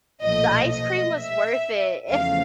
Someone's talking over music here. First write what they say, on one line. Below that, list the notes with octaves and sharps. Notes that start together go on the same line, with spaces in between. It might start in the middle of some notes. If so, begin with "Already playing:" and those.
the ice cream was worth it,
B1 A#2 F3 A3 D#5
D#5
E5
E2 C#3 F3 A3 F5